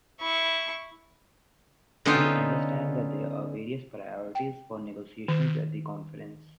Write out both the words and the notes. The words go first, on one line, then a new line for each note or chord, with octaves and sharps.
We understand that there are various priorities for negotiations at the Conference.
E4 C#6
D3 B3 C#4 D#4 F4 G5
G5
D#3